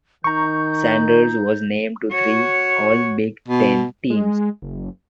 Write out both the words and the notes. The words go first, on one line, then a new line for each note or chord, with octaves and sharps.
Sanders was named to three All-Big Ten teams.
D#3 D#4 A#5 C#6 G6
F#4 C#5
B2
G#3
F#1